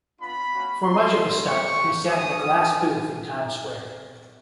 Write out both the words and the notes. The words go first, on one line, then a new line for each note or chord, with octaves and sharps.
For much of the stunt, he sat in a glass booth in Times Square.
B3 D4 F4 B5
A#3 C#4 F#4
G#3 C4 F4 C6
A3 C#4 F4
B3 E4 G4 C#6
A#3 D4 G4
B3 E4 G4 D#6
A3 C#4 E4